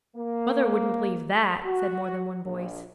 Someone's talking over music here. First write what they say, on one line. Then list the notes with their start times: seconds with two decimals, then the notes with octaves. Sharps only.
'Mother wouldn't believe THAT,' said more than one voice.
0.16 A#3
1.65 F#4
2.45 A#1